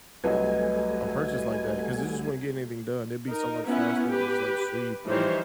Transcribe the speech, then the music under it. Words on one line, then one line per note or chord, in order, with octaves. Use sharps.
a purchase like that 'cause it just wouldn't get anything done, it'd be so much faster to just, like, sweep or
C2 F#3 G3 A3 B4 D#5 G#5
D#4 A#4
B3 C#4 E4 F#5
G4 B4
E3 F3 G3 D#4 C5 C#5